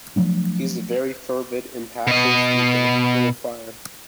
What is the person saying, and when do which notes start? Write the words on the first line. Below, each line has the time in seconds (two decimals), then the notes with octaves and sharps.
He is a very fervid, impassioned speaker — full of fire!
0.16 F3 F#3 A3 D4
2.07 B2 D#5